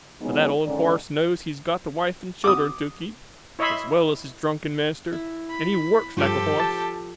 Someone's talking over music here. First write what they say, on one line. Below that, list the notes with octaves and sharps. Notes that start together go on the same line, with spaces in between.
But that old horse knows he's got the wife and children to keep--as well as his drunken master--and he works like a horse.
E3 F#3 G#3 B3 C#4 D#4
G#2 D3 D#3 C#4 D5
D6 D#6
E4 C#5 D#5 E5 B5 C6
E4
B5
G2 F3 G4 A4
A5